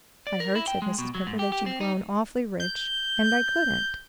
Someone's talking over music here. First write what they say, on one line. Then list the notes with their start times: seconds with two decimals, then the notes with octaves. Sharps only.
"I heard," said Mrs. Pepper, "that you'd grown awfully rich, and I couldn't."
0.27 D5
0.40 A#4
0.55 E4
0.68 G5
0.82 G#3
0.99 B2
1.15 F#3
1.27 G#2
1.39 G4
1.52 G4
1.66 C4
1.81 D#4
2.60 G6